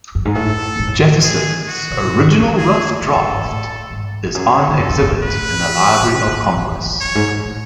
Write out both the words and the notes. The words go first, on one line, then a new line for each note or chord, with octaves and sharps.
Jefferson's "original Rough draught" is on exhibit in the Library of Congress.
F#2
G#2
A2 A4
A2
G#2
A2
G#4
F#4
B2
A2
G#2
F#2
F#2
G#4
F#2 A4
F#2
G#2
A2
G#2
F2
F#2 G#4
G#2
F#2 A4
F2
F#2
G#2
A2 B4
D3
C#3
D3
C#3
A2
F#2
F2
F#2 C#5
G#2
A2